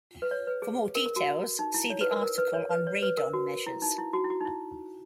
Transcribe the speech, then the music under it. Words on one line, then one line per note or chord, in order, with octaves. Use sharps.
For more details, see the article on Radon measures.
B4
C#5
B4
G#4
A#4
A#4
F#4
D#4
E4
C#5
B4
A#4
A#4
B4
C#5
B4
C#5
B4
A#4
F#4
E4
D#4
E4
F#4
E4
F#4
D#4
E4